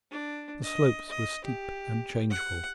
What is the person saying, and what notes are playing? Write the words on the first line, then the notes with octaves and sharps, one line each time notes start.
The slopes were steep and changeful.
D4
D#5
D#5
G4
F#5